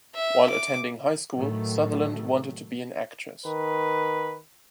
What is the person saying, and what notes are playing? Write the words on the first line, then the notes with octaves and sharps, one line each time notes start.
While attending high school Sutherland wanted to be an actress.
E5
D6
A2 D#3 F#3 A3
D#3 B4